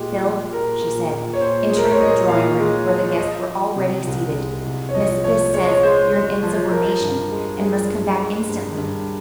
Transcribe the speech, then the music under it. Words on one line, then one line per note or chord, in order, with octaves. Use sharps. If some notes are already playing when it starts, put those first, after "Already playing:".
"Phil," she said, entering the drawing-room where the guests were already seated, "Miss Fisk says you're an insubordination and must come back instantly."
Already playing: A#2 G#3 G4
F3
A#2 A#4
A#2
A#2
C#5
A#2 C5
G#3 G#4
A#4
C5
C#5
A#2 D#5
A#2 F5
G#3
F3
F3 D#5
F3
C3
C2
G#3
C2
C#5
F3 D#5
F3 C#5
G#3 C#5
D#5
C#5
G#3 C5
G#3
F3
F3 A#4
G2
G#3
F3 G#4
G2
G#3
G2
G2